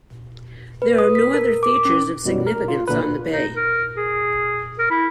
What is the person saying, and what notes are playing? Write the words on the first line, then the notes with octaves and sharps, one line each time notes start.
There are no other features of significance on the bay.
B4
D#6
B6
A#4
D6
C#4
F#2 B2 F#3 G3
A#4
F4
A1 A#2 D3 B4
D#4
A#4
G#4
A#4
E4